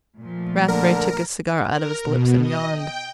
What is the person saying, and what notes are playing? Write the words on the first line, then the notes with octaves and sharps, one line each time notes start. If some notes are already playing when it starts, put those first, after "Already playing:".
Rathbury took his cigar out of his lips and yawned.
A#2 F3 A3
D3 A#4
A#4
B2
D#5
G5